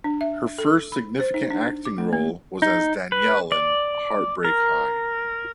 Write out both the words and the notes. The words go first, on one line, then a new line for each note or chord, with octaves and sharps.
Her first significant acting role was as Danielle in "Heartbreak High".
D4
E5
A4
B5
C5
D#4
D4
D6
A3
A#3
D#4
B4
D5
A#4